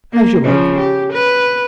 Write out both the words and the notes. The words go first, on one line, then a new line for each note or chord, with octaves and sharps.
'As you like....
A#3
C#3 F3
G4
B4